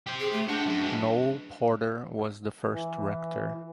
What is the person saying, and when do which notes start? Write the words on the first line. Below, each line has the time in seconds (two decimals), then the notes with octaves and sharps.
Noel Porter was the first rector.
0.07 G4 C5
0.20 G#4
0.33 A3
0.48 D4 F#4 G4
0.66 F#2
0.83 E3 G#3
2.71 E3